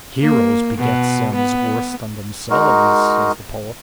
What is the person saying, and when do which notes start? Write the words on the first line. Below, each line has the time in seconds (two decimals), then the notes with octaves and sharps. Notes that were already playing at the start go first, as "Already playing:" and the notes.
'Heroes beget sons worse than themselves, says the poet.'
0.21 A#3
0.78 B2
1.35 B3
2.50 G#3 D#4 F#4 A#4